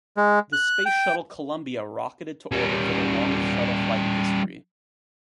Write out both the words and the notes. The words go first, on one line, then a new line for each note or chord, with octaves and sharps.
The Space Shuttle "Columbia" rocketed to orbit for the longest Shuttle flight in history.
G#3
F#6
G5
G3 C#4